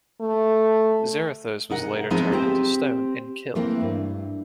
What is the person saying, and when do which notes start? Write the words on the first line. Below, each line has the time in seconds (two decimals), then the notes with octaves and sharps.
Zarathos was later turned into stone and killed.
0.21 A3
1.70 C3 D#4 A#4 F#5
2.10 F3 G#3 B3 C4 D#4 A#4
2.32 C4 G4 C5
3.55 E3 A3 A#3 C4
3.81 G2